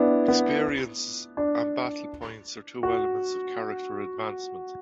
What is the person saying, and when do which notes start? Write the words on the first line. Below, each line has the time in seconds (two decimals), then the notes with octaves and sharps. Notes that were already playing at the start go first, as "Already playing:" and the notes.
'Experiences' and 'Battle points' are two elements of character advancement.
Already playing: B3 D4 E4
0.28 B3
1.37 D4
2.83 F#4